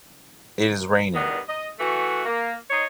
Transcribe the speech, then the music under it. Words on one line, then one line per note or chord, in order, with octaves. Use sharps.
It is raining.
E2 G2 D#3 B3
D#5
E3 A3 F#4
A#3
D#4 C5 C#5 D#5